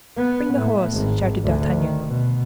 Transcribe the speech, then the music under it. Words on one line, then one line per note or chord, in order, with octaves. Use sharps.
"Bring the horse!" shouted D'Artagnan.
B3
A2
G#1
D2
D#3
B2